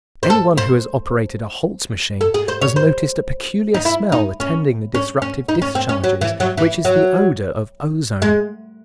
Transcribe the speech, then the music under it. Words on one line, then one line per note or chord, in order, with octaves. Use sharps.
Anyone who has operated a Holtz machine has noticed a peculiar smell attending the disruptive discharges, which is the odor of ozone.
C5
A4
C5
A4
G#4
C5
C#5
C5
D#4
E4
D#4
C#4
C#4
C#4
D#4
C#4
C4
C#4
F#3
E3
F#3
E3
F#3
G#3